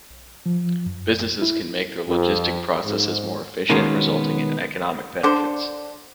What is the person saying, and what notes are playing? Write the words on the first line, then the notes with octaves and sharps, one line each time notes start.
Businesses can make their logistic processes more efficient, resulting in economic benefits.
F3
F#2
E4
F2
G#2
B2 D#3 G#3 A#3 B3 C#4
D3 D4 C5